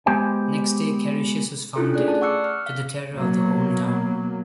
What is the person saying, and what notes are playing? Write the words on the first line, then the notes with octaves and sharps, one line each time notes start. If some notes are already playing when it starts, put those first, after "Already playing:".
Next day Carisius was found dead, to the terror of the whole town.
G#3 B3 G4 C5 G5 G#5
C#4 D4 E4 F4 G4 A4
A3 G#4 D5 F#6
D5 A5
F#5 C#6 D6 E6 F#6 C#7
F6
F5
B2 F#3 A#3